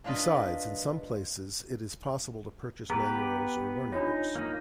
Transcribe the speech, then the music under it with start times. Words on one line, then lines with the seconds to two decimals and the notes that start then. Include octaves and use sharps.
Besides, in some places it is possible to purchase manuals or learning books.
0.04 A#3 D4 F4 B4 D#5
2.90 B3 G4 G#4 B4 A#5
3.92 D4 D#4 F4 C#5
4.35 A#3 D#4